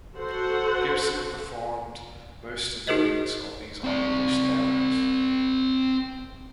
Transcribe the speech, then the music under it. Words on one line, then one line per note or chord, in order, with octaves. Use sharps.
Gibson performed most of the leads on these unreleased demos.
F#4 A4 C5 F#5
D#4 F#4 G#4 A#4 C5 D#5
C4 D5